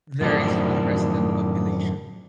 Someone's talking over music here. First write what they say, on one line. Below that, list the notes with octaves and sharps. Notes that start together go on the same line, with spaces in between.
There is no resident population.
F#2 A2 D#3 F3 D4